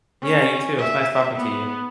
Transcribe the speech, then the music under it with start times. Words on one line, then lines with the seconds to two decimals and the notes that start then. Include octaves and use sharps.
Yeah, you too. It was nice talking to you.
0.22 C#4
0.79 E5
1.36 B3